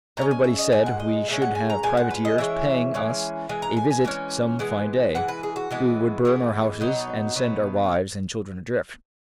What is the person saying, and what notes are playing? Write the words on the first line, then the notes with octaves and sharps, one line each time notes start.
Everybody said we should have privateers paying us a visit some fine day, who would burn our houses, and send our wives and children adrift.
A#2 G#3 C#4 A#5
G#5
E5
D#5
A#2 G#3 G#5
F#5
D#5
A#2 G#3 C#4 E5
F#5
G#5
A#5
A#2 G#3 G#5
F#5
B4
D#5
E3 G#3 C#4 E5
E3 G#3 C#4
E3 G#3 G#5
A#5
G#5
G#5
E3 G#3 C#4
E3 G#3 B3
E3 G#3 F#5
B4
G#4
F#4
E3 G#3 B3
E3 G#3 B3
B2 F#3 B3 D#4
B2 F#3 B3